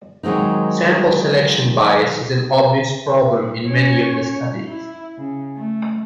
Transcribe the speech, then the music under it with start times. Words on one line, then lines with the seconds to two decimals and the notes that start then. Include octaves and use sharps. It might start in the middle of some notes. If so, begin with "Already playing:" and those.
Sample selection bias is an obvious problem in many of the studies.
0.23 D#3 F#3 G#3 C4 D#4
3.66 C#4 C#5
4.68 E4
5.18 C#3
5.57 A3